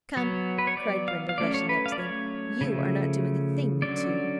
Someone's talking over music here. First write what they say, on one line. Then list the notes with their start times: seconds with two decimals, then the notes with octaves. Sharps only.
"Come," cried Brenda, rushing up to them, "you are not doing a thing, you two."
0.16 F#3 B3 C#5
0.58 B4
0.67 C#5
0.77 D5
1.08 F5
1.29 F5
1.38 F#3 A3 C#4 D5
1.54 C#5
1.69 B4
1.86 F5
1.92 D5
1.99 C#5
2.61 C#3 F3 A3
3.82 D3 F#3 C#4 D5